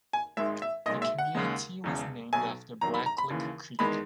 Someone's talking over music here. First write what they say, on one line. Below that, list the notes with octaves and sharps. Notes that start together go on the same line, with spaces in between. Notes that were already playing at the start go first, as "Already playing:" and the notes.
The community was named after Blacklick Creek.
G#5
G#1 G#2 D#3 G#3 E5
E5
B1 A#2 G#3 D#5
E5
F#5
D#2 C#3 G#3
E1 E2 C#3
B1 B2 F#3 G#5
E2 D#3 F#3 A#5
B5
A#5
B5
D#2 C#3 E3
E2 D#3 G#3 B5